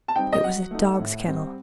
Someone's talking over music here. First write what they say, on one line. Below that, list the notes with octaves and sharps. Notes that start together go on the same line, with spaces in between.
It was a dog's kennel.
A5
G3 C4 D#4 G5
D#5
F#3 F#5
A3 D#4
A2
G3 C4